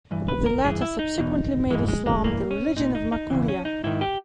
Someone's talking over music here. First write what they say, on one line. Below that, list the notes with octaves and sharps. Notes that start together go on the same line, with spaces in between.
The latter subsequently made Islam the religion of Makuria.
G2 E3
B4
A#4
G2 E3 G#4
E4
D#4
E2 B2
G#2 E3 G#3
G#3
G#3
G2 E3 A#3
C#4
A#2 D#4
D#4
D#4
E2 C#3 E3
C#4
D#4
G#2 D#3 E4
G4